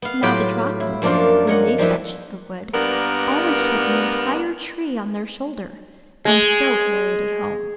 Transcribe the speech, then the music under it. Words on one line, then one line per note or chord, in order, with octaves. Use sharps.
Now the Draken, when they fetched the wood, always took an entire tree on their shoulder, and so carried it home.
B3 F5
A2 F#3 F4 G4 G5 B5
E4
F#2 F3 A#3 D4 F4
A#4 C#5 D#5 F#5
F3 G3 D#4 E4 B4
G2 A#3 B3 A#4 D5
G#3